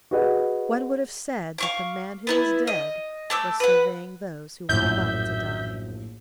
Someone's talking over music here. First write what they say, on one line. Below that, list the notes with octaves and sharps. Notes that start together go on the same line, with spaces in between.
One would have said that the man who was dead was surveying those who were about to die.
F#4 G#4 B4 D#5 F#5
F5 C#6 D6
B3 D#4 E4
D#5
A3 D6 E6
B4 F#5
A#1 F#2 A2 E5 G6